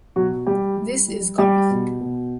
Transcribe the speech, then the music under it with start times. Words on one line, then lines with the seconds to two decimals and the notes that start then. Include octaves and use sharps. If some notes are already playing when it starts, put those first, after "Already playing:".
This Is Goth!
0.16 B2 F#3 F#4
0.47 G3 G4
0.77 G3
1.08 G3
1.38 G3 G4
1.70 B2
2.01 B2